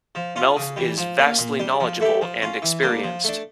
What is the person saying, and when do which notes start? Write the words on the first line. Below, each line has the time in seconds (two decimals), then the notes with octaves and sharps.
Melf is vastly knowledgeable and experienced.
0.15 F3
0.36 C#4 F4
0.56 C#3
0.76 E3 G3
0.98 F3
1.18 A#3 C#4 F4
1.38 A#2
1.59 G3 D4
1.80 F3
2.01 A3 E4 G4
2.21 F3
2.42 C#4 F4
2.62 E3
2.82 G3 A#3 D4
3.03 F3
3.24 A3 D4